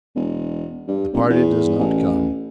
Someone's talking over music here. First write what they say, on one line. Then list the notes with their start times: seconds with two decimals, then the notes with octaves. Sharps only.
The party does not come.
0.16 E1
0.88 G2
1.13 F1
1.30 E2
1.79 A1